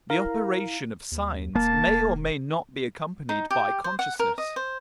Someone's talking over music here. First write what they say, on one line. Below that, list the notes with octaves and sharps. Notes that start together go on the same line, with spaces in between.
The operation of signs may or may not be accompanied by consciousness.
E4 A#4 F5 A#5
D#2
E1 A#3 A5
E1
D#4
G4
C5
F#5
A#4
D#5
C5